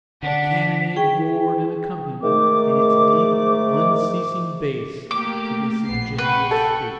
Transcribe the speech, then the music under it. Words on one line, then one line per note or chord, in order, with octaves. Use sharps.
The cannonade roared an accompaniment in its deep, unceasing bass to this ingenuous statement.
D3 D4 F#5 B6
G#4 G5 C#6
G#2 D#3 A3 D6
A3 A#3 G4 D6
A#1 B3 C7
B4 F#5 G5 C#6
A4